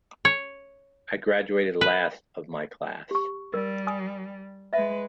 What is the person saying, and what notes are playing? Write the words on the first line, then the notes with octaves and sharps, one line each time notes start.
I graduated last of my class.
C#5
B4
G4 C#6
G3 A#4
G#5 D#6
G#3 B4 D#5 E5